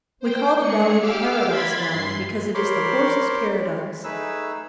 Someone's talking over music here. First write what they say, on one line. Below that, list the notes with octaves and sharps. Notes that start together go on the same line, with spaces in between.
We call the valley Paradise Valley because it is the horses' paradise.
C5 G5
G#3 G#4 C#7
G4 F5 D6 E6 F6
B5 C6 G#6 A6 B6
G2 C6 C7
A#4 C5 C#5 B5 C6 D6
A3 D#4 G#4 B4 E6